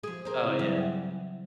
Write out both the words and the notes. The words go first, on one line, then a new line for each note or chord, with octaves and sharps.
Oh, yeah.
F3 G#4
G#4 A#4 C5
C#3 C4 E4
E3 F#3 G3
E5 F#5 G5